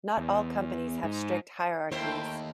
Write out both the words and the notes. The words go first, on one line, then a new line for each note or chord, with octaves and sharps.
Not all companies have strict hierarchies.
E2
G#2
D#2 A3 A#3 E4 C5 G5